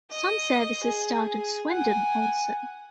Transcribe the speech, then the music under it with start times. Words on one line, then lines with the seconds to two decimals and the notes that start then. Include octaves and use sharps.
Some services start at Swindon also.
0.11 D#5
0.84 G#4
1.70 F#5 G#5